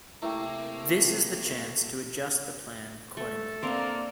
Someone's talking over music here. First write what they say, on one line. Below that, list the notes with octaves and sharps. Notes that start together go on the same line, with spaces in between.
This is the chance to adjust the plan accordingly.
C3 A3 A#3 C4 E4 A#4 G5 D6
A3 A4
A#3 C4 D4 A#4